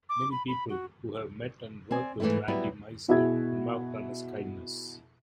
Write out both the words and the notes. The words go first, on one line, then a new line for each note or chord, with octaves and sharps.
Many people who have met and worked with Randy Meisner remark on his kindness.
D6
B5
B5
F#4
C4 D5 G#5
G#2 E3 F3 A3 E4
F#3 G3 B3 E4
B2 E4 F#4 G#4 E5 G#6